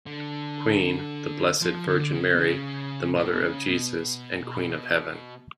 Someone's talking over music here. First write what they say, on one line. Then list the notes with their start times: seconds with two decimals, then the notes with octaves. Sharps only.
Queen: the Blessed Virgin Mary, the Mother of Jesus and Queen of Heaven.
0.06 D3
1.62 F3
1.87 D3
2.14 C#3
2.35 B2
2.39 C#3
3.17 B2
3.32 B2
3.44 C#3
3.69 B2